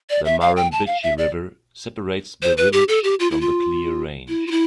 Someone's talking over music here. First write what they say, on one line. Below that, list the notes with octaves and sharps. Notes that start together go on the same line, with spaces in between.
The Murrumbidgee River separates the village from the Clear Range.
D5
E5
F5
G5
A5
F5
E5
D5
C5
B4
G4
A4
G4
F4
E4
F4
E4
F4
E4